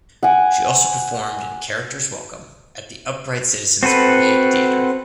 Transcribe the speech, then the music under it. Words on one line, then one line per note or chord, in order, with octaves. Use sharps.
She also performed in "Characters Welcome" at the Upright Citizens Brigade Theatre.
F#5 G#5
C4 F#4 A4 B4